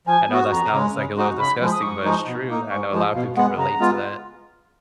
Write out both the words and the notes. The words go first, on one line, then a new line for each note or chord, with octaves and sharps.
I know that sounds like a little disgusting but it's true, I know a lotta people can relate to that.
F3 G#5
B3 F#4
F2 A#5
C#3 G#3
C#3
G#3 D#4 F#4
C#3 B5
F3 G#3
D#6
G#2 C#6
F3 G#3 D#4
B2
A#3 D#4
G#2 C#6
F3 G#3
B2 F5
G#3 B3 F#5
C#3 A#5
G#3 B3 F4